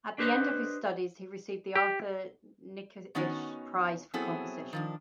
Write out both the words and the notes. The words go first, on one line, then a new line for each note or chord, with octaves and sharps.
At the end of his studies he received the Arthur Nikisch Prize for composition.
D4 G4 B4 C5 D#5
G4
D#3 B3 C#4 D#4 F#4
F#3 B3 C4 E4 G#4 A4
D#3 F3 D4